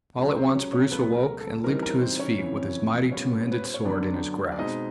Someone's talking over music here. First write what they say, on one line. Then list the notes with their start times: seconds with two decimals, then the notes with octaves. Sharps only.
All at once Bruce awoke and leaped to his feet with his mighty two-handed sword in his grasp.
0.17 C#2 C#3 F#3
0.36 C4 C5
0.55 C#4 C#5
0.73 C#4 C#5
0.91 C#2 B2 F#3 A3 B3 B4
1.16 A#4
1.41 A4
1.64 C#3 E3 G3 C4 D#4 A#4
1.82 A#4
2.01 C4 C5
2.19 C#4 C#5
2.38 F2 C#3 E3
3.11 A#2 G3 B3 C#4 C#5
3.52 B4
3.62 C5
3.74 C#5
3.85 F#2 D3 F#3 B3 D4 D5
4.52 D5
4.59 B2 G#3 C4 D#4 D#5